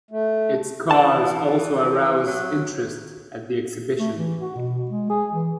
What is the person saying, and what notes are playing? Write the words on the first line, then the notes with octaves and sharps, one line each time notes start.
Its cars also arouse interest at the exhibition.
A3
E3 D5 A5
F#3
A3
E3
F#4
B2
G#3
G#4
E3